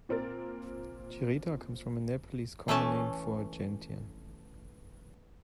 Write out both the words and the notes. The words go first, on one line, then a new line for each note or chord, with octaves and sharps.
"Chirita" comes from a Nepalese common name for a gentian.
A#2 C4 A#4 A6
E3 A3 C#4 E5 A5